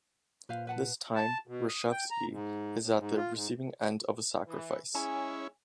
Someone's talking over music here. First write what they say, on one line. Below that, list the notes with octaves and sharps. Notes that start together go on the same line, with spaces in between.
This time Reshevsky is at the receiving end of a sacrifice.
A#2 B4 C5 F5
B4 F#5 A5
A5
B2
D#6
G5
A#5
G#2
A2
G#2
F4
G#2
E3
G#3 C#4 E4 G#4 C#5 G#5